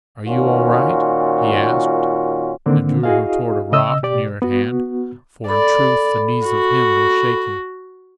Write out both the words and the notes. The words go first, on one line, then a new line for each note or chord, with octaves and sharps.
"Are you all right?" he asked, and drew her toward a rock near at hand--for in truth, the knees of him were shaking.
A#2 D#3 C#4 F4 F#4
D3 D#3 A#3 C4 D4
E4 F#4 G#4 D#5 F5
C#3 D#5 E6
B2 G4 D5
B3 F#4
A4 D5 B5
F#4